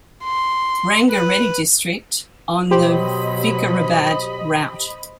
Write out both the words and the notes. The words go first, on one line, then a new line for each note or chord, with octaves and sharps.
Ranga Reddy District on the Vikarabad route.
C6
B4
B2 F#3 G4 C5 D#5 B5